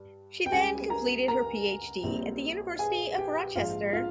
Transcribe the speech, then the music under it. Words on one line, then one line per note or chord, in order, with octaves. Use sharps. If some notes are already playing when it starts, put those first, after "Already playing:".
She then completed her PhD at the University of Rochester.
Already playing: G2
G5
C#2 C#3 G3 G#4 G#5
A#4 A#5
A#4 A#5
A#1 A#2 G3 C4
G#4 G#5
G4 G5
A#1 G#2 F3 F4 F5
F4 F5